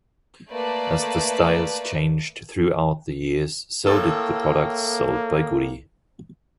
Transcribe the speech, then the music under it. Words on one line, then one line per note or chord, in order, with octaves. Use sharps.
As the styles changed throughout the years, so did the products sold by Goody.
A3 A#3 B4 D5 A5
A2 A#3 A4